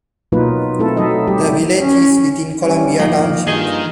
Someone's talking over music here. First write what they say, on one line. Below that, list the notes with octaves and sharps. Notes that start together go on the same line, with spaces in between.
The village is within Columbia Township.
B2 F#3 A#3 D#4 F4 B4
A3 C4 E4 A4
F#3 D#4 A4 D#5 E5
F#3 G3 G4
C#4
G3 C#4
F#2 A2 F3 A#3 D#4
G2 D#3 F4 G#4 D#5